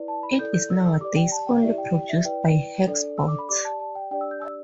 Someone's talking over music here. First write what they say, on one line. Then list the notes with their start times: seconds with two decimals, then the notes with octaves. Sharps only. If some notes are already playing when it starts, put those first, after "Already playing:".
It is nowadays only produced by Hexboards.
Already playing: E4 B4 D5
0.08 A5
0.23 B5
0.39 E4 A4 D5 G6
0.54 G6
0.70 E6
0.86 E6
1.01 G4 D5 D6
1.16 G5
1.32 A5
1.47 G5
1.63 E4 G4 D5 E5
1.78 G5
1.94 G5
2.09 E5
2.25 E4 B4 D5 G5
2.86 D4 A4 D5
3.18 E6
3.28 D6
3.39 B5
3.49 G4 D5 D6
3.65 A5
3.80 A5
3.95 G5
4.11 D4 G4 D5 G5
4.21 E6
4.31 G6
4.42 E6